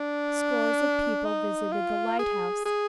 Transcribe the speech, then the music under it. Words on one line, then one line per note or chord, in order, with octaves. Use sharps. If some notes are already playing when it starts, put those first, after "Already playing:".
Scores of people visited the lighthouse.
Already playing: D4
D#4
F4
G#4
G#4